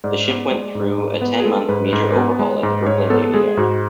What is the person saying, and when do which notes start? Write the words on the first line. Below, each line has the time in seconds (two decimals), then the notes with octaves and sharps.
The ship went through a ten-month major overhaul at the Brooklyn Navy Yard.
0.04 G#2 D5
0.28 B3
0.51 G#3
0.75 G#2
0.98 G#2
1.21 B3 B4
1.40 G#4
1.45 G#3 A4
1.69 G#2 B4
1.93 G#2
2.16 B3
2.39 G#3
2.63 G#2
2.86 G#2 C#5
3.10 B3 A4
3.22 A4
3.34 G#3 G#4
3.57 G#2 F#4